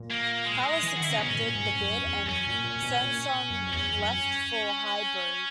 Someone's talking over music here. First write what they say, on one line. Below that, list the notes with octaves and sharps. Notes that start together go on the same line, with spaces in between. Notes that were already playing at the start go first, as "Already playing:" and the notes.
Palace accepted the bid and Sansom left for Highbury.
Already playing: A#2
A#3
G#3
E3
G#4
F#4
D#3 E4
C#3 D#4
B2 C#4
G#2
A#2
G#2
F#2
E2
F#2 C#4
A#2
A#2
B2
A#2
F#2
E2 C#4
F#2